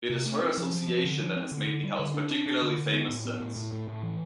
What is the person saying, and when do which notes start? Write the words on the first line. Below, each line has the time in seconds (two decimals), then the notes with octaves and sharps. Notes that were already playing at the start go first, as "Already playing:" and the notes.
It is her association that has made the house particularly famous since.
0.10 C3
0.26 A3
0.42 C4
0.58 F3
0.74 F3
0.88 F3
1.05 D3
1.20 F3
1.36 C4
1.52 D3
1.67 D3
1.84 G3
1.99 D3
2.14 D4
2.31 D4
2.46 D4
2.62 D3
2.78 D3
2.93 B3
3.09 A2
3.25 B3
3.40 A2
3.56 A2
3.72 A2
3.88 A2
4.03 E3